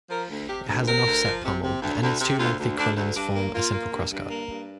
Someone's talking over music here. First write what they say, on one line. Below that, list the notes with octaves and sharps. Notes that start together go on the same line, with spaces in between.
It has an offset pommel, and its two lengthy quillons form a simple crossguard.
F3 A#4
D2
C3 G4
D2
C3 A#4
D2
F3
C3
C3
D2
D2
C3
D2 F4
D2
D2 D4
D2
G2 D4
A#3
A#3 F4
A#3
G2
G2
A#3
G2